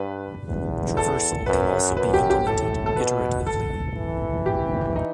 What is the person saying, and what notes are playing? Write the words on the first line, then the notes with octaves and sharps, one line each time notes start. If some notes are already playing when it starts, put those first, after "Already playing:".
Traversal can also be implemented iteratively.
Already playing: G2 B4
E2
A4
F#2 B4
F#2 B4
G4
G4
A2 A4
A4
B2 B4
A4
E3
G4
D#4